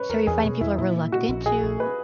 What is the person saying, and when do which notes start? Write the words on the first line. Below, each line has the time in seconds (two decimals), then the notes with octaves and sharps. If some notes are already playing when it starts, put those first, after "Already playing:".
So, you're finding people are reluctant to
Already playing: B4 C#5
0.10 E2 A#4
0.27 E2 G#4
0.44 B2
0.61 E2 E4
0.78 A#2 E4
0.96 A#3
1.12 A#2 F#4
1.28 A#1
1.46 A#2 G#4
1.63 A#1
1.80 B4